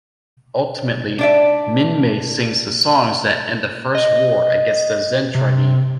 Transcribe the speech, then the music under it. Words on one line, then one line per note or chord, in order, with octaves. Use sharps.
Ultimately, Minmay sings the songs that end the first war against the Zentradi.
D4 D5 E5
D#5
C3